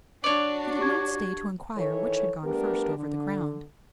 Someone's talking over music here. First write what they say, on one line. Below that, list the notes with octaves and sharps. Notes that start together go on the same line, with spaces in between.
He did not stay to inquire which had gone first over the ground.
D4 F#4 C#5 D5
G4 C#6 G#6
D#3 E3 A4 C#5
G3 A3 B3 D4 G4 A#4
D3